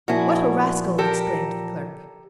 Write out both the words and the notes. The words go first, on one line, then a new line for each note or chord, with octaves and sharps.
"What a rascal!" exclaimed the clerk.
A#2 F3 E4 F#4 G#5
G4 A4 A#4